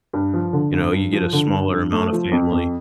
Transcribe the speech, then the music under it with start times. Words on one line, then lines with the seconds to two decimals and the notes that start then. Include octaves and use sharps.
you know, you get a smaller amount of family.
0.13 G2
0.34 F3
0.53 D3
0.73 G2
0.93 G2
1.13 F3
1.33 D3
1.53 G2
1.73 G2
1.92 A3
2.12 F3
2.32 F2
2.52 F2